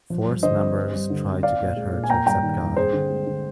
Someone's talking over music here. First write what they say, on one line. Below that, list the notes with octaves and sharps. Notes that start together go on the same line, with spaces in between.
Force members try to get her to accept God.
F3
G2
D3 C5 D#5
C4
G3
G2
D3
C4
C4 D5 F5
A#2
G#3
A#2
G#5
A#3 G5 A#5
G2 G5 A#5
D#3
G2
C4 G#4 C5
D3
G#3
D3